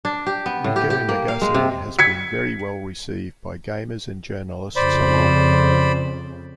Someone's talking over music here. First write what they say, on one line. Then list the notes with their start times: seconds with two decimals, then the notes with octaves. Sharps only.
Reiko Nagase has been very well received by gamers and journalists alike.
0.05 D4
0.27 G4
0.46 B3
0.64 A2
0.76 G4
0.90 G4
1.09 A#3
1.28 F5
1.42 G#3
1.54 C3
1.99 G#6 B6 C#7
4.76 F2 C#3 C5 D5 B5